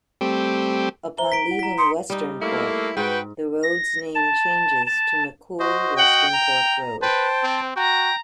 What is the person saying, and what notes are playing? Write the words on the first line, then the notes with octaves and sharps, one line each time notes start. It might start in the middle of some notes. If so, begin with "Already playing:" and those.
Upon leaving Westernport, the road's name changes to McCoole-Westernport Road.
G3 A3 C4 G4
C5 E5 A#5 G7
A#5 B6 D7
E4 F#5
A#5 B6
C6 D#6 C#7
G3 D#4
A3 A#3 E4
G#2 F#4 B4 G5
A#6
A5
A5
F#4 C5 D#5
F#5 G5
A#5 F7
B4 C5 G5 A5
C4
F#4 G5 A#5